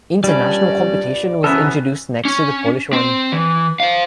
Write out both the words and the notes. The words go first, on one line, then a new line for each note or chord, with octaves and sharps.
International competition was introduced next to the Polish one.
G2 A#2 G3 C#4 D5
C3 E3 B3 C#4 A4 A#4 E5
C#4
C4
E3
C5 F5